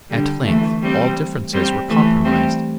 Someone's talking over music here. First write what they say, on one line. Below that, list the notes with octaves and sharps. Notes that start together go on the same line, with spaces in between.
At length all differences were compromised.
D3 G3
E3 A3
G3 C4
G3 C4
E3 A3
G3 C4